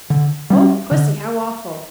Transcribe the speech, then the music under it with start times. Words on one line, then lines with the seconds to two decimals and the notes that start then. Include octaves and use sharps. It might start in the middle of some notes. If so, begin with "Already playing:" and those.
'Oh, Pussy, how awful!
0.10 D3
0.50 G3 C#4
0.91 D3